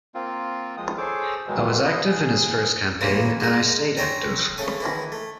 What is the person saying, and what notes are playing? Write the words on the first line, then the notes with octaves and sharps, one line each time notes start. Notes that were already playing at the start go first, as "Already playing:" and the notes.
I was active in his first campaign, and I stayed active.
A#3 C4 F4
F3 G#3 D#6
G#4 A4 C5 C#5 D6
G#2 B2 D#3 E3 F#3 G#3
E3 B3 D4 E4 C5 D#5
D#2 G#4 F#6
D#2 A#2 C#3 E3 A#3
G#3 A#4
C5 C#5 E5 G5 G#5 A#5
C#3 A3 C#5 G#5
D#3 E3 E4
A3